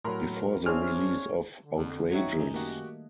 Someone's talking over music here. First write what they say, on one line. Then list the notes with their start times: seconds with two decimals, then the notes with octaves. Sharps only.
Before the release of Outrageous!
0.04 A2 F#3 A#4 B5 C6
0.66 C4 D4 G#4 C5 C#5 E5 F6
1.62 D3
1.77 F2
2.11 D#4 F#4 C#5 E5 G5
2.35 F#2 D#3 G3 A3
2.54 A#3 F#4 G4 D#5